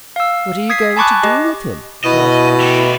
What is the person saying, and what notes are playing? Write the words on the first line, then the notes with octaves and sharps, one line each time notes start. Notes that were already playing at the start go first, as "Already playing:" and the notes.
"What are you going to do with him?" Charles asked.
F5 E6
D#6 G#6 B6 C7
G#5 A5 B5 C#6 D6 F#6
G4 D#5
B2 E4 D#5
A3 G4